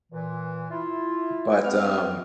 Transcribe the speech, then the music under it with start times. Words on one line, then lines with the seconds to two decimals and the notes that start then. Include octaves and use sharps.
But, um,
0.13 A#2 E3
0.71 E4 F4
1.65 B3 C4 F6